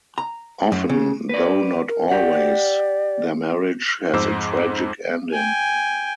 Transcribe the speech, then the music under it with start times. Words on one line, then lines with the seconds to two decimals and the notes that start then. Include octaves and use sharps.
Often, though not always, their marriage has a tragic ending.
0.18 A#5
0.72 F#2
0.89 C#3
1.29 B4 D5
1.89 A#4
2.09 G4 D5 F#5
4.13 F2 G#2 C5 D6 E6
5.30 G5 G#5